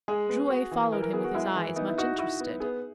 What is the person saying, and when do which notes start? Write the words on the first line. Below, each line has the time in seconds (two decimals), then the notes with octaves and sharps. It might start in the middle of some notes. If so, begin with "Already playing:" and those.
Drouet followed him with his eyes, much interested.
0.08 G#3 G#4
0.29 B3
0.50 F#4
0.72 E3
0.92 E3 A#4
1.02 A#4
1.13 B3 G#4
1.24 F#4
1.34 G#3 E4
1.56 E3
1.76 B3 D#4
1.88 E4
1.98 D#4 F#4
2.19 E4 F#4
2.40 B3
2.60 B3 G#4